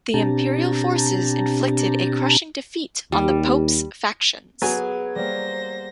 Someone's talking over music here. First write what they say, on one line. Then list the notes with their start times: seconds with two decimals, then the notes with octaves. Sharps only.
The Imperial forces inflicted a crushing defeat on the Pope's factions.
0.14 B2 C4 D4 G4 A5 A#5
3.12 D#2 G3
4.62 F#3 B3 G#4 B4 G#5
5.16 G3 A#3 C5 A#6